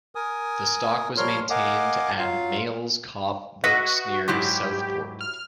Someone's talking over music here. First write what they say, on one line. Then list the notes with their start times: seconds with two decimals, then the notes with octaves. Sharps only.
The stock was maintained at Meols Cop works near Southport.
0.15 A#4 G#5 D#6
1.17 F3 G3 A#4 C#5 C6 F6
1.50 A#4 D#5 F5 F#5 G#5 D6
2.18 F#3 F4 F5
3.64 F#4 B4 D#5 E5
4.28 G#2 F#3 E4 G4
5.21 F6